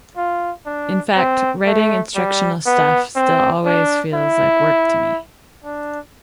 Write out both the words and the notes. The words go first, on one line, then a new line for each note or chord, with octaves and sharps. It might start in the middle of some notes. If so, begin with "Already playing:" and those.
In fact, writing instructional stuff still always feels like work to m.
F4
D4
C4
A3
G3
B3
C4
D4
E4
D4